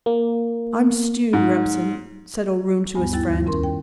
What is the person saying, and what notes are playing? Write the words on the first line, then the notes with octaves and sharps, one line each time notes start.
"I'm stewed, Remsen," said O'Roon to his friend.
A#3
G#2
D2 G2 G3 B3 G#5
D#2 E4 G5 A6
D#3
F2 C#4 A#4 C6
G5